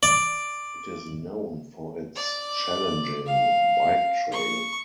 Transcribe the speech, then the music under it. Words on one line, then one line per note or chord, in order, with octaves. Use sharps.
It is known for its challenging bike trail.
D5
D5
F5
C#6